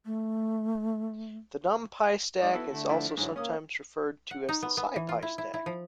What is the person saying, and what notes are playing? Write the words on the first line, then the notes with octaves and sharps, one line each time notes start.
The NumPy stack is also sometimes referred to as the SciPy stack.
A3
G#3 D#4 D5
B3 E4 F#4 A4
D3 A3
F3 D4 E4
G#2 D3 E3 F#3
A#3 C#4 D#6
F#5
D#4
B3
B3
E3
F4
E4
E4
E4
F3